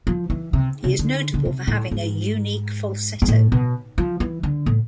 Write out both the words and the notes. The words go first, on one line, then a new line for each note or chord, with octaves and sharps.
He is notable for having a unique falsetto.
F3
E3
C3
C3
D3
D3
C3
A2
G#2
G#2
A2
B2
F3
E3
D3
A2